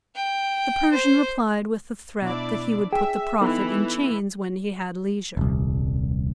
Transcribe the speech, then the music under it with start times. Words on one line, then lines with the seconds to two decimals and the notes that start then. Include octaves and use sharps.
The Persian replied with the threat that he would put the Prophet in chains when he had leisure.
0.16 G5
0.93 C5
2.21 B2 D4 E4 D5
2.93 G#4 E5 G5
3.41 E3 B3 D#4 E4 A4
5.37 D#1 C2